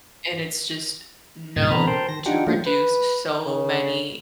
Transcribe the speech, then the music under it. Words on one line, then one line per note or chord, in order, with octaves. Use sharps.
and it's just known to reduce so many,
G2 A#2 C#3 D#5 G#6 A6
B2 E3 C4 A#5 B5 F6
A#4 C5 G5 A5 C6
D#3 A#6
D4 D#4 F4 G4 F#5 G5
F3 F#3 A3 A#3 D4 F4
B4
C#3